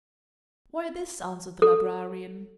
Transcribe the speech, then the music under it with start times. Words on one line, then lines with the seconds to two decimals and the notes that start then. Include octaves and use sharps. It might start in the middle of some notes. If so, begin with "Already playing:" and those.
"Why this," answered the librarian.
1.62 A4